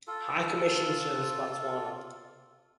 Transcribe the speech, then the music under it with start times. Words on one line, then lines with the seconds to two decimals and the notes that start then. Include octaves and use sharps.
High Commission serves Botswana.
0.07 F4 A4